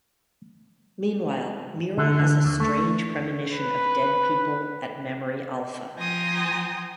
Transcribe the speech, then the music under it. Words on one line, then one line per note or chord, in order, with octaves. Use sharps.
Meanwhile, Mira has a strange premonition of dead people at Memory Alpha.
D3
D3
D#2
A3
B4
F3 G5 G#5 A#5 C6 D#6